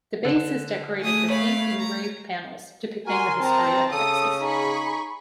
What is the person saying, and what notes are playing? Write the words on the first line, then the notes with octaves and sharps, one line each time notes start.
The base is decorated with eight engraved panels depicting the history of Texas.
D3 E7
A3 G#4 D#6
C#5 F5 B5
A#5
F#4 A#4 G#5 C6
C4 A5 A#5
C#3 A4 D#6
D#4 G#4 B5 C#6